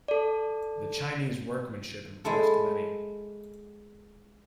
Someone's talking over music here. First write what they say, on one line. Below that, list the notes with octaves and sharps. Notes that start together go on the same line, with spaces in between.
The Chinese workmanship impressed many.
A4 D5
G#3 E4 A4